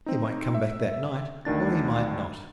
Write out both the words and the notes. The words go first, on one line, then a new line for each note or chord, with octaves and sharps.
He might come back that night or he might not.
C4 D#4
E5
D2 D#3 D4 A6